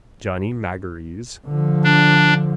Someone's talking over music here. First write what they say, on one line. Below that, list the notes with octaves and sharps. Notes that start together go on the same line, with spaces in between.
Johnny Magories.
D3 F3
D4